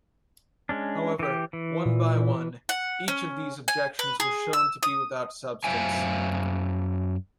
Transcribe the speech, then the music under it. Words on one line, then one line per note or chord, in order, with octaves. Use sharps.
However, one by one, each of these objections were shown to be without substance.
G#3 C#4 D4
E3 G4
E3
A#2
F#5
C#4
G#5
B4
G#4
E6
D#6
F#2 C5 E5 F5 G#5